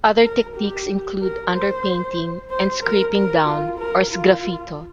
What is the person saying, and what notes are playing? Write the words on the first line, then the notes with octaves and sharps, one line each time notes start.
Other techniques include "underpainting" and "scraping down" or sgraffito.
A#4
G4
A#4
C5
C5
A#4
A#4
F4
A#4
F4